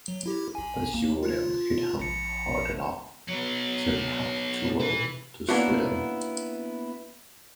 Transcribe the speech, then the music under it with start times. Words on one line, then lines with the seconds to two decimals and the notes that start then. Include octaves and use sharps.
But she wouldn't hit him hard enough, so he had to row to Sweden.
0.08 F#3
0.26 E4 G4
0.55 B1 G#5
0.94 A#3
1.23 F4
1.99 A#1 C#7
3.28 F#3 B3
4.80 E4 B4
5.49 A#3 B3 C#4 D4 E4 F#4